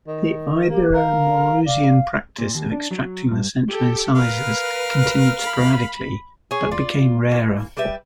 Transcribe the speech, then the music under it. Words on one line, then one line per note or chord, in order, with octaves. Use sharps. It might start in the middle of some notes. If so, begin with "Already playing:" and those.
The Ibero-Maurusian practice of extracting the central incisors continued sporadically, but became rarer.
D#3
A#3 G4
A#4 F5
D5 F5
A#2
D#2
D4
F#3
G2
G4 A4
A#4 B4 F5
B5
G#4 C#5
F4 D5
E3 A#3
G3 G4 B4 E5